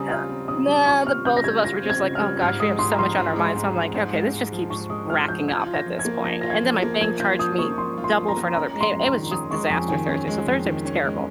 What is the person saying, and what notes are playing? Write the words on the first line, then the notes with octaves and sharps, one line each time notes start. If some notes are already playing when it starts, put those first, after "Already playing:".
yeah nah, the both of us were just like, "Oh gosh, we have so much on our mind." So I'm like, "Okay, this just keeps racking up at this point." And then my bank charged me double for another payme It was just disaster Thursday. So Thursday was terrible.
Already playing: C#3 G3 C4 G#5 A#5 D#6
F4 F6
C4
C#3 D#6
G3
F4 C#6
C4 F6
C#3 G6
A#6
G3 G#6
F4 A#6
C4
G#6
C#3
F6
G3
G#2 F6
G#3 D#6
G#2 C6
A#5
F3 C6
G#2
G#3
G#2
F3
G#2
G#3
G#2
F3
G#2 C#6
G#3 D#6
G#2 F6
F3 G6
F3 G#6
F4
A#6
F3
G#6
A#3
F3 A#6
F4 A#6
G#6
F3
A#3
F3 G#6
F4 G6
F3 D#6
A#3 C#6
F3 C6
F4
C6
F3
A#5
A#3
C#4 A#5
G#3
C6
F2
C6
D#3
C#4 D#6
G#3 C#6
F2 G#5
D#3 G#5
C#4
G#3
F2
D#3
C#4
G#3